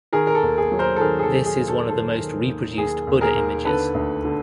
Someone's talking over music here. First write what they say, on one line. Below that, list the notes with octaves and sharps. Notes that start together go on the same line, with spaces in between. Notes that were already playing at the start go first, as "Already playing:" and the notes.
This is one of the most reproduced Buddha images.
D#3 G#4 A#4
A#4
A4
D#2
G#4
F#3
A#4 C5
A4
D#3 G#4 A#4
G#4
A4
D#3
G#4
D#2
A4
D#3 A4
D#3
D#2
D#2 G#4
D#2
G#4 A#4
D#2
D3 A4 B4
D2
D3